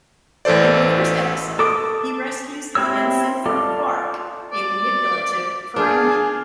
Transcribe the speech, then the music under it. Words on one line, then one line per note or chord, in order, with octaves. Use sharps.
In the first episode he rescues the ensign from Quark, a manipulative Ferengi.
A1 E3 A4 C5 D5
A4 D6 D#6
C4 E4 G4 C#5 E6
F4 A4 D5
D5
D4 F4 G#4